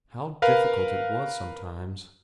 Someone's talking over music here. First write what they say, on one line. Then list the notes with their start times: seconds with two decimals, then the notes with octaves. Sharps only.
How difficult it was sometimes.
0.42 A#4 B4 F5